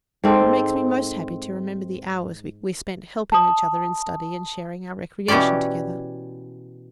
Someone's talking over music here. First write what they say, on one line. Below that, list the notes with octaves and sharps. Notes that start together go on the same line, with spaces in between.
It makes me most happy to remember the hours we spent helping each other in study and sharing our recreation together.
G#2 C4 A4
A5 D#6
B2 E3 C#4 G4 D5